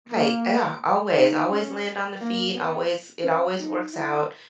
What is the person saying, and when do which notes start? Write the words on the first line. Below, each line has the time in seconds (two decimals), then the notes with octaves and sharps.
Right. Ah, yeah, always, always land on the feet. Always it always works out,
0.12 A#3
1.16 D#4
1.51 C#4
2.20 A#3
2.55 B3
3.23 C#4
3.59 D#4
3.93 E4